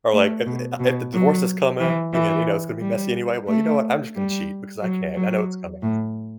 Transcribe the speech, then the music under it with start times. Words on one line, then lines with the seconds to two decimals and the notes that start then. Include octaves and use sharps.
Or, like, if i uh if the divorce is coming, and, again, you know, it's gonna be messy anyway, well, you know what? I'm just gonna cheat because I can. I know it's coming.
0.13 A3
0.46 B2
0.79 B2
1.14 F#3
1.80 E3
2.14 E3
2.81 G3
3.48 A3
4.15 G3
4.82 F#3
5.15 F#3
5.82 A2